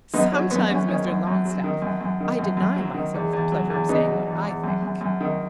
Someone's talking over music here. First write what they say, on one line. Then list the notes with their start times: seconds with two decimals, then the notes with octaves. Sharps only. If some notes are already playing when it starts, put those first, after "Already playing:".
"Sometimes, Mr. Longstaff, I deny myself the pleasure of saying what I think."
0.14 F#2 B3 D#4
0.32 F#3 C#4
0.51 F#2 B3
0.70 F#2 C#4
0.89 D#3 C#4
1.07 F#2
1.27 F#2
1.45 F#3
1.64 D#3
1.82 F#2
2.01 F#2
2.20 D#3
2.39 F#2
2.57 F#2
2.76 F#3
2.94 D#3
3.14 E2
3.33 E2
3.52 F#3
3.70 E2
3.88 E2 B3 D#4
4.07 F#3
4.27 E2
4.45 E2
4.64 F#2
4.82 F#2
5.01 F#2
5.21 D#3